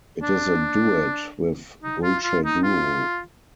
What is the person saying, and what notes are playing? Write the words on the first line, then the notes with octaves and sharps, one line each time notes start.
It is a duet with Gulce Duru.
D4
D#4
F4
F4
D#4
F4